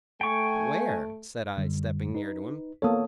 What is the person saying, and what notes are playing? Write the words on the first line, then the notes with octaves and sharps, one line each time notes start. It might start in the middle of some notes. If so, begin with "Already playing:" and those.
"Where?" said I, stepping near to him.
A3 G5 G#5 C#6
F#2 D3 G3
D#4 B4
A#3 B3 A4 C#5 F5 D#6